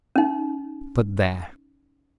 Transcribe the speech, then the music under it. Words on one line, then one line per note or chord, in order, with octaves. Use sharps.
But there!
C#4 D#4